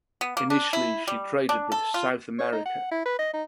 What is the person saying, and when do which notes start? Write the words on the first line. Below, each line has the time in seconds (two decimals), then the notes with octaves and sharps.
Initially she traded with South America.
0.21 B3
0.37 A#3
0.50 D4
0.73 E4
1.08 G3
1.49 D4
1.72 A4
1.94 F4
2.39 C#5
2.52 D#4
2.65 F#5
2.91 E4
3.05 B4
3.19 D#5
3.33 D#4